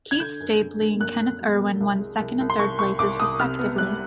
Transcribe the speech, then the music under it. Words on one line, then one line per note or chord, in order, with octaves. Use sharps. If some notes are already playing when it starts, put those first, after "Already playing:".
Keith Stapley and Kenneth Erwin won second and third places, respectively.
G#6
D3 G6
F#2
D3
D3
F#2 F#6
F#2
F#3
F#3
C2
G#3
C2
C2
C6
C2 C#6
C2 C#6
C2 D6
C2 D#6
C3 F6
B3
G3 F#6